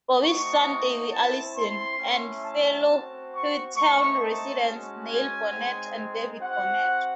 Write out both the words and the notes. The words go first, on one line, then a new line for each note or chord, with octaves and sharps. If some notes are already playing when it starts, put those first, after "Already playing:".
Bobby's son Davey Allison, and fellow Hueytown residents Neil Bonnett, and David Bonnett.
A3 C4 D#4 F#4 C#6
C4 E4 A5
C6
A3 C#4 E4
A5
C4 F#4
C#6
A3 C4 D#4 C#6
A5
G#3 C#4 F#4
G#5
G#3 C4 D#4
C4 F#4 F#5